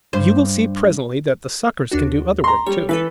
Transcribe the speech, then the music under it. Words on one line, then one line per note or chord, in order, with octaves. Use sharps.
You will see presently that the suckers can do other work too.
G2 C5
D#2 D4 F#4
A#5 C6
G3 C#5
E3 A4 B4 B6